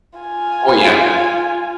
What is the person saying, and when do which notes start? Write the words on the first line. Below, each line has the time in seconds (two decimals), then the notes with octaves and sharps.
Oh, yeah.
0.19 F4 G#5